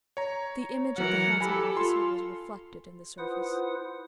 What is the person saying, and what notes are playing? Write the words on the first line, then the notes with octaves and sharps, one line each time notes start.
The image of the handsome officer was reflected in the surface.
C#5 A#5
E3 F#3 A#4 F#5
G4 A4 G#5 B5
F4 C6
E4 F4 B4 C5 F#5 D#6